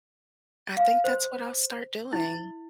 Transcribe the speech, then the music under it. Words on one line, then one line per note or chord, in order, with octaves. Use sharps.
I think that's what I'll start doing.
F5
C5
E4